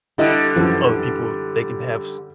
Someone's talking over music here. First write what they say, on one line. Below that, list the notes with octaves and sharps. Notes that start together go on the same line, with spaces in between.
other people they can have s
D3 G3 E4 D#5
F#2 E3 F3